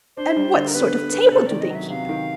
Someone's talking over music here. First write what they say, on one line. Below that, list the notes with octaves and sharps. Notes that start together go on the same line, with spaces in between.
And what sort of table do they keep?
D4 C5
G3
D3
A#4
B3 B4
D3
B3
C3 A4
D#3 D5
D#5
F#3
E5
C3 F5
D#3